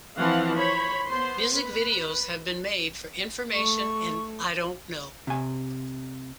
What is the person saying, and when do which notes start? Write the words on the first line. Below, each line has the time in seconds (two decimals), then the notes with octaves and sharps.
Music videos have been made for "Information" and "I Don't Know".
0.17 E3 F3 C4 F5 F#5
0.56 C5 C#5 B5
1.06 B3 C5 C6
1.53 B4
3.53 A3 C#6
5.27 C3 G#5